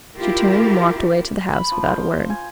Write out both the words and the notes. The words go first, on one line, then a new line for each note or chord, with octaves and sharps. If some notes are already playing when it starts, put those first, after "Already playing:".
She turned and walked away to the house without a word.
E4 F4 G4 A#4
B5
F3
C5
G#5